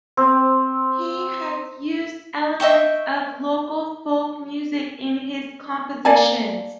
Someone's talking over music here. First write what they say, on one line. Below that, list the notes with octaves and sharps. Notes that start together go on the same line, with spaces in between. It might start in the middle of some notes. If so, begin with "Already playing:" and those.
He has used elements of local folk music in his compositions.
C4
D#5 E5 G5 C#6
A#3 D5 G#5 A5